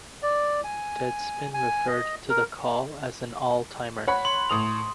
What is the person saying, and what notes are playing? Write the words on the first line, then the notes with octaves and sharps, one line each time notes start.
Deadspin referred to the call as an All Timer.
D5
G#5
G#5
D#5
A#4
C#5 F#5 B5
C6
A2 D#6 F7